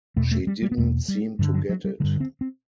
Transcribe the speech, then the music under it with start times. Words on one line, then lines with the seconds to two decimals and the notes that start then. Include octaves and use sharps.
She didn't seem to get it.
0.16 E2 B2 A3
0.31 A3
0.47 G3
0.62 G3
0.72 B3
0.77 E2 B2 A3
1.08 G3
1.39 G2 D3 G3
1.54 F#3
1.69 F#3
1.84 G3
2.00 D3 G3
2.04 G2
2.20 C4
2.41 C4